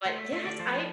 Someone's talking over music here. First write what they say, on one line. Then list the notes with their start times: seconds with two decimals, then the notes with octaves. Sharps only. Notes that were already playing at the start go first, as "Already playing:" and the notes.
But yes, I
0.05 A3 C5
0.18 E5
0.33 A3 E5
0.46 D5
0.59 F3 C5